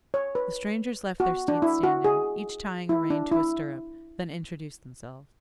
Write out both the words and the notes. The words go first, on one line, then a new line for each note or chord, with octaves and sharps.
The strangers left their steeds standing, each tying a rein to a stirrup, then introduced themselves.
C#5
B4
F#4
D4
E4
F#4
G#4
E4
D4
E4